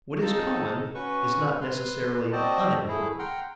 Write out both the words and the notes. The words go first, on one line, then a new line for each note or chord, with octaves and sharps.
What is common is not necessarily unimportant.
C4 D#4 F4 G#4 A4
C#4 F#4 B4 C#6
B4 C6
C4 F#4 C5 D5 D#5 A5
A3 E4 G#4
F#5 G5 A#5 C6 F6